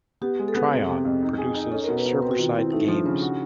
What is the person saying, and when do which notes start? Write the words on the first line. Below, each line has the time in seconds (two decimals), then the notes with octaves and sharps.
Trion produces server-side games.
0.21 B3 G4
0.39 G#3
0.48 A4
0.55 B3 G#4
0.73 C3
0.89 C3
1.05 F2
1.22 D#4
1.38 G#4
1.55 D#4
1.71 C#4 A4
1.84 A#4
1.88 B2
1.97 B4
2.05 B2 C5
2.22 C4 B4
2.31 F#4
2.39 D#3 F4
2.55 C4 E4
2.72 A3 D#4
2.88 F3 D4
3.05 C#3 C#4
3.22 F#4